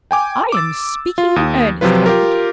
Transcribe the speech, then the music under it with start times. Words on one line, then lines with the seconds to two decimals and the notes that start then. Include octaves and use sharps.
I am speaking in earnest, Rufford.
0.11 G5 G#5 D6
0.52 D6 E6 A6
1.18 F4
1.36 D#2 D#6
1.81 C3 F3 F#3 F4 B4
2.06 F4 G4 A#4